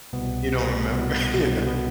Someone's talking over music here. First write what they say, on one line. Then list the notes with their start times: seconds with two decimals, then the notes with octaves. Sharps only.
you don't remember, yeah.
0.13 C2 B2 B3
0.89 C2 B2 B3
1.65 C2 B2 B3